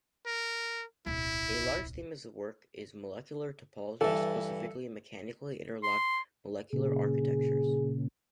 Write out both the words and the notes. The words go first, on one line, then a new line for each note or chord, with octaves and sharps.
A large theme of his work is molecular topology, specifically mechanically-interlocked molecular architectures.
A#4
D1 B1 E4
G2 E3 A4 E5
C6
A#2 C#3 G#4